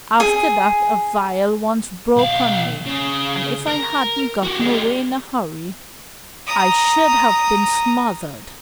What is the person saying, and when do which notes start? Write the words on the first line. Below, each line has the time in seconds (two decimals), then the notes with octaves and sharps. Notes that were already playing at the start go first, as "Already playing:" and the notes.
After that a vial once broke on me and if I hadn't gotten away in a hurry I should have been smothered.
0.20 G#4
2.17 B1 F5
2.86 C#3
3.67 A#4
4.44 F#4 G4
4.61 G3 G#3
6.47 A#5 D#6